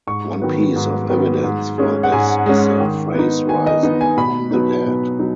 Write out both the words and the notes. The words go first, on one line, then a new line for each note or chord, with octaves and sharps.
One piece of evidence for this is the phrase risen from the dead.
G#2 C#6
D#3 F#3 B3
G#2
D#3 F#3 B3
G#2
G#3 C#4
F#5
G#2 G#5
G#3 C#4
D#3
B3 D#4
D#3 G#5
D#5
B3 D#4
G#5
B2 B5
F#3 B3 D#4
B2
F#3 D#4